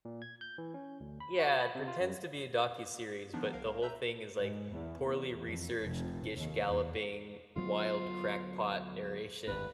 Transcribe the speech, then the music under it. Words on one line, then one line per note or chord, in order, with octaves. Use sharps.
yeah, it pretends to be a docuseries, but the whole thing is, like, poorly researched, gish galloping, wild crackpot narration.
A#2
G#6
G6
E3
C#4
D2
B5
F#4
B5
C3
F4
F#2
D#3 F3 B3 D4 D#4
C2 A#4 F5
B4 E5 A#5 E6 G6
G#2
E2
E2
F2
F1
D#2
E2
D2 F#3 B3 F4
G#1 E2 G2 B4